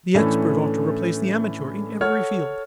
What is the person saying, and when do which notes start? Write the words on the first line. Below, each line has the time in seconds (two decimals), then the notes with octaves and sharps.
The expert ought to replace the amateur in every field.
0.15 A2 E3 A3 C#4 D4 A4
2.01 A4 C#5 F#5 F6